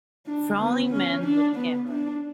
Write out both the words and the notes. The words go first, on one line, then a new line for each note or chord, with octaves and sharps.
Frowning man with camera.
D4
B3
C#4
D4
B3
D4